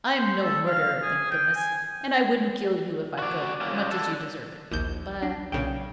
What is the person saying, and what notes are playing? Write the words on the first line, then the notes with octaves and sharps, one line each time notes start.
"I'm no murderer, thank goodness, and I wouldn't kill you if I could--much as you deserve it."
C5
A4
F5
G#4
G5
G#5
F#4 D5
F#2 A#3
C#2
D4 A4
A#1 D#2 G6
D4
B1 A#2 C#3 G5